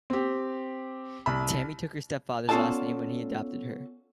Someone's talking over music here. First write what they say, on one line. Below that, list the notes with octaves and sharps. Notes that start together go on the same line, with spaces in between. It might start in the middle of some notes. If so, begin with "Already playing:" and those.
Tammy took her stepfather's last name when he adopted her.
C4 G4
C2 B5
B3 C#4 F4 A4 D5 A5